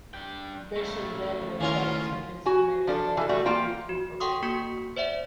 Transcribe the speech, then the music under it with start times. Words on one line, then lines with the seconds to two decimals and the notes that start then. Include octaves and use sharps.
Vischer then went back to his native home to recuperate.
0.14 D4 G5
0.76 C#3 A3
1.61 D#3 E3 C#4 F4 A#4
2.46 F#4 G#5
2.87 F3 D4 A4
3.17 E3 A4
3.29 G3 A3 F#4
3.46 A#3 F4 G5
3.89 F#4
4.20 A4 F#5 G5 C6 C#6 D#6
4.42 A#3 F#4 C#6 G6 B6 C#7
4.96 C5 D5 E5 F#5